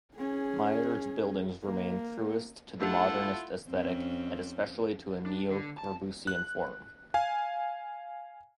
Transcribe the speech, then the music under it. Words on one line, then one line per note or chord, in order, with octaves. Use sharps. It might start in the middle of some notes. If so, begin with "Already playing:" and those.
Meier's buildings remain truest to the modernist aesthetic and especially to a neo-Corbusian form.
C#4 G#4
A#3
A3 D4 E4 F4 G4 A4 F#5 A5
F2 C4 C#4
D4
D3
A5
F#6
F5 G#5